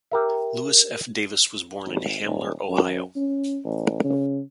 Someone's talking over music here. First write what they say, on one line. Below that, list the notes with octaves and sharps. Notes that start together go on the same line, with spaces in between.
Louis F. Davis was born in Hamler, Ohio.
G4 A#4 E5
G#1
D#1
F#2
C#4
A1
C#3